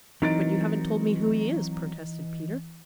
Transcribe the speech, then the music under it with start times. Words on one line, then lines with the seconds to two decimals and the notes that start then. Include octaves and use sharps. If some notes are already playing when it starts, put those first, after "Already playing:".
"But you haven't told me who he is," protested Peter.
0.22 E3 F#3 C4 D#4 A#4 A6 D7